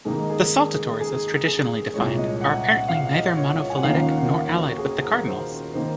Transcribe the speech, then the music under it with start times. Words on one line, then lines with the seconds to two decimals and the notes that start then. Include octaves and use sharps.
The saltators as traditionally defined are apparently neither monophyletic nor allied with the cardinals.
0.05 G#2 D#3 A#3 D#4 G#4
0.29 G#4
0.76 G#4
1.00 G#4
1.48 G#4
1.94 C2 A#2 G#3 C#5
2.18 D#5
2.41 F#5
2.65 F#5
2.89 F5
3.13 D#5
3.37 C#5
3.60 C#5
3.70 G#5
3.77 F#5
3.84 D#2 D#3 A#3 C#4 F4 F5
4.08 F#5
4.32 F5
4.54 F#4
4.78 G#4
5.02 A#4
5.26 C5
5.73 D#3 A#3 C5